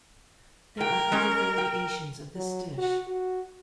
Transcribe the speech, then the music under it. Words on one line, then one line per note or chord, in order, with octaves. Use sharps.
There are other variations of this dish.
A#4 G5
G#3 C#4
G5
F#3
F#4
F#4